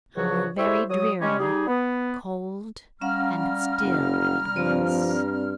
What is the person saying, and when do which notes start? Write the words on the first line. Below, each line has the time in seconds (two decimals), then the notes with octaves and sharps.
How very dreary, cold, and still it was!
0.16 C#2 G2 C#3 F3 F#4 C#5
0.58 G3 A3 E4 C5 C#5 E5
0.89 F#3 D#6
1.21 G3 G#3 C#4
1.39 G3 D#4 G#4
1.67 B3
3.01 G3 C#4 F5 F#5 A#5 F6
3.82 F#1
4.56 G2 F3 C4 D5